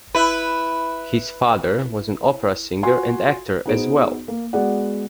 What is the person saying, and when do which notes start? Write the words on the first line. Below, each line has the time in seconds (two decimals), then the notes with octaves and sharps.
His father was an opera singer and actor as well.
0.15 E4 B4
2.83 F4 F#4 F#5 G#5 C6
3.66 B3 D#4 F#4 G#4 C5 D7
4.28 A#3
4.53 G#3 B3 F#4 G#4 D5 F#5